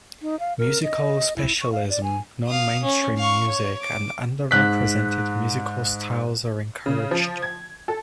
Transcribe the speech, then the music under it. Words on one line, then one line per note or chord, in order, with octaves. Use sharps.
Musical specialism, non-mainstream music and under-represented musical styles are encouraged.
D#4
F5
A#4
D#5
E4
C#6
F5
D5
G#5
F5 D#6
C#4
F5 C#6
C#5
D6
G#2 F#6 B6
C#3
F3
G#6
A4